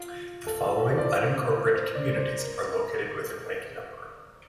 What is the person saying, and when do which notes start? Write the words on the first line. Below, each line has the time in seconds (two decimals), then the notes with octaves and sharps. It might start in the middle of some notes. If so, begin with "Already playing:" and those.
The following unincorporated communities are located within Lake No.
Already playing: F4
0.47 A4
0.68 F4
0.89 C5
0.98 D5
1.05 C5
1.74 C5
1.95 D5
2.17 C5
2.38 A#4